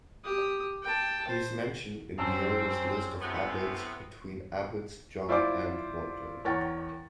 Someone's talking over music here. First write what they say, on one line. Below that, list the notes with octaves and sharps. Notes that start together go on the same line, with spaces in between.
He is mentioned in the oldest list of abbots between Abbots John and Waldo.
G4 D#6
G5 A5
C5
F#2 C4 A5 E6
A2 C3 B3
E4 F4 C5 D5 D6
E2 A#4 C#5 F#5 G5 A6